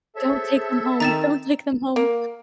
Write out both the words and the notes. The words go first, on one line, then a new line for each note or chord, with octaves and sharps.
"Don't take them home, don't take them home."
G#4 A4 C5 C#5 E5
D#3 C4 A#5 A6 E7
A#3